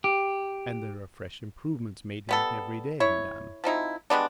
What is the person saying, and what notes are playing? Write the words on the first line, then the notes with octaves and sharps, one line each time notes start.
"And there are fresh improvements made in it every day, Madame."
G4
G3 B3 A4
E4 C#5
F3 C4 D#4 E4
G3 G#3 B3 D4